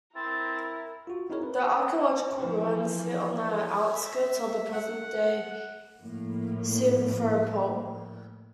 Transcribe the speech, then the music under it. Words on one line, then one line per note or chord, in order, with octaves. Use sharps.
The archeological ruins sit on the outskirts of the present-day Simferopol.
C4 E4 A#4 A6
F4 F#4
C4 D#4 E4 G#4 A#4 C#5
B4
E3 F3
E5
F#5
A2 F3 A#3